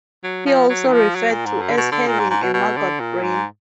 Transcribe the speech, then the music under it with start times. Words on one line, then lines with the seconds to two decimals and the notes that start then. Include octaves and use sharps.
He is also referred to as having a "maggot brain".
0.24 F#3
0.46 F3
0.70 F#3
0.87 D#3
0.93 F3
1.16 F#3
1.31 A#2
1.46 G#2
1.61 F#2
1.71 D3
1.77 B2
1.92 D3
2.07 A#2
2.20 G#2
2.31 G#2
2.43 B2
2.54 B2
2.77 D3
3.00 A#2
3.23 G#2